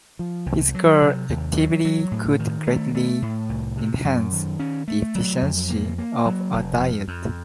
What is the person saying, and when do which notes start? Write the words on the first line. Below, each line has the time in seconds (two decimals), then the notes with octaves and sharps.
Physical activity could greatly enhance the efficiency of a diet.
0.19 F3
0.46 C2
0.75 F#3
1.02 C3
1.29 D#2
1.57 F#3
1.85 F#3
2.12 A2
2.40 D#3
2.67 A3
2.95 A3
3.22 A2
3.49 C2
3.77 C3
4.04 F#2
4.33 D#3
4.59 C#4
4.88 A3
5.15 F#3
5.42 F2
5.70 A#3
5.98 A#3
6.26 F#3
6.53 F1
6.81 F2
7.08 F2